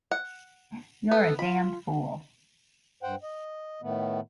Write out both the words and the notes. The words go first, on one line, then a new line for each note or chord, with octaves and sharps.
You're a damned fool!
F#5
B3 A4
F4 B5
G2 C5 F#5 G5
D#5
A2 D#3 A3 B3